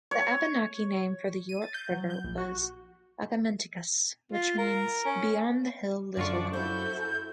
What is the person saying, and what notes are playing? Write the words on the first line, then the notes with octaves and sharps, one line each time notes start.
The Abenaki name for the York River was "Agamenticus", which means "Beyond-the-hill-little-cove".
C#5
D#7
A6
G6
F#3
G6
A#1
F#4
F4
A#4
C#4
F#2 D3 F3 D4 F4 D5 C#6
E4 F#4 A4 C5 G6